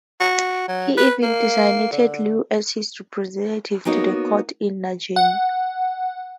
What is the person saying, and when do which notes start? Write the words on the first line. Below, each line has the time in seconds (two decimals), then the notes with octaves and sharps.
He even designated Liu as his representative to the court in Nanjing.
0.21 F#4
0.68 F#3
0.97 B4
1.23 A#3
1.92 D3
3.85 A#3 B3 D#4 F#4 C#5
5.16 F#5